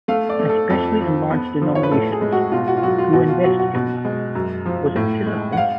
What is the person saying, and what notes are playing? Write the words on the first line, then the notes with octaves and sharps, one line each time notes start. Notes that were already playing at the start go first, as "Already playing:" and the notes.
Especially in large denominations", "Go invest, young man", "Was it his eyes?
A3 F5
D5
A3
A4
F2 A4
F3
B3
F3
C#5
B4
A2 A4
G#4
G#3
F#4
B2 F4
F#4
F4
F#3 F#4
F4
B2 F#4
F4
F#3 F#4
F#4
B2
G#3
F#2
F3
A2
G#3
F#5
F5